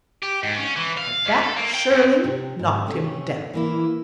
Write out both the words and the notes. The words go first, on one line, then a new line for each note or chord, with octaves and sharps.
At that Shirley knocked him down.
G4
G#2
C#4
E3
F5
F2
A4
A#3
G5
F#2
C3
G#2
C3 A3 C#4
E3 A#3 E4